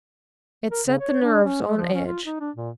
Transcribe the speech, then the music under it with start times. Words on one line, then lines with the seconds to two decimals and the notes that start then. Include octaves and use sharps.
It set the nerves on edge.
0.71 A#4
0.87 C#3
1.00 C#5
1.22 D4
1.44 C#4
1.62 G#3
1.77 F3
1.94 C#4
2.06 F4
2.26 D#4
2.40 D4
2.56 A#2